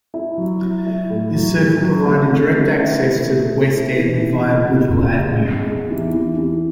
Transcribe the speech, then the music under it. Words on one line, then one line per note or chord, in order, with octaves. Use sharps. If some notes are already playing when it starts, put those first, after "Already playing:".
This circle provided direct access to the West End via Woodville Avenue.
E4
F#3
F#3
E4
A2
F#3
A3
F#3
A3
C#4
A3
E4
A3
A3
A3
E4
E3
E3
C#3
C#3
C#3
G#3
E2
E2
E3
E3
E3